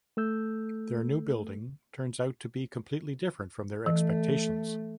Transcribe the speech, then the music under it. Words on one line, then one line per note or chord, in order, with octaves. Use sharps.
Their new building turns out to be completely different from their expectations.
A3 A4 E6 G6
E3 A3